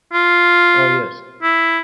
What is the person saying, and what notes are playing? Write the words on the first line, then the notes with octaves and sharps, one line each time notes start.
Oh, yes.
F4
E4